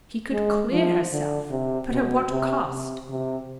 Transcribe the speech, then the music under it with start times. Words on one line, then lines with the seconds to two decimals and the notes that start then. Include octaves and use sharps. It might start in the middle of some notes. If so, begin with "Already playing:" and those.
She could clear herself, but at what a cost!
0.33 G#3
0.72 F3
1.12 D3
1.51 C3
1.91 B2
2.30 C3
2.70 C3
3.10 C3